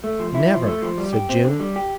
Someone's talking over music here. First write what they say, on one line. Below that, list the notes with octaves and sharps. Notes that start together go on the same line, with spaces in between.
"Never," said June.
A3
F3
E4
F3
A3
F3
G3
G4
C4
D3
G3
G4